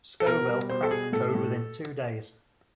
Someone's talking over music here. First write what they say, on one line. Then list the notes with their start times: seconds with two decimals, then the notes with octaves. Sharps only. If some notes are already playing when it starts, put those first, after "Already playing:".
Scovell cracked the code within two days.
0.20 A4
0.26 B2 A#4
0.48 G3
0.70 B2 C5
0.83 A4
0.91 B2 G#4
1.12 A2 A4
1.35 A2